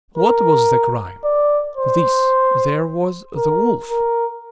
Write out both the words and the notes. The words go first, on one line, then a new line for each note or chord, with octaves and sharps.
What was the crime? This: there was the wolf.
A#4
D5
C5
A#4
A#4